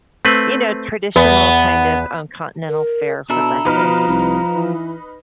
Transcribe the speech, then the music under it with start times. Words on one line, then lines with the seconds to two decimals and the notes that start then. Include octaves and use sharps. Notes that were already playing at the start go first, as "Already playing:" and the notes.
you know, traditional kind of, um, continental fare for breakfast.
0.25 A3 C4 B4
1.16 E2 B3
2.69 A#4
3.30 B2 D4 E4 A4 A#5
3.65 B2 F3 D#4 B4 F6
4.07 C2
4.56 E3